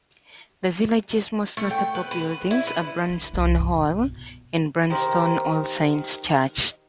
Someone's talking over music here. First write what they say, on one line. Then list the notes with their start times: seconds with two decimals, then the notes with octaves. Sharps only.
The village's most notable buildings are Branston Hall and Branston All Saints' Church.
1.57 A3
1.71 G5
1.95 B4
2.11 B4
2.51 E4
2.67 B4
3.10 D3
3.34 C2
3.58 G2
3.73 B2
4.90 D#3 G4 C5